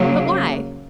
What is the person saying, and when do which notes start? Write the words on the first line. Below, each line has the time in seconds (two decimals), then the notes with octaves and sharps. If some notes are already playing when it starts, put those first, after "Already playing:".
But why?...
Already playing: C#3 F#3 A#3